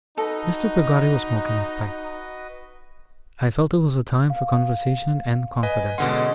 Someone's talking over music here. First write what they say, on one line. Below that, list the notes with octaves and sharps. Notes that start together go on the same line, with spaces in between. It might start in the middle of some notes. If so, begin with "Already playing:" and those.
Mr. Peggotty was smoking his pipe. I felt it was a time for conversation and confidence.
D#4 F#4 A4 B4 D#5
F5
B4 D#5 G#5
B2 D3 G#3 C#4 F#5 C6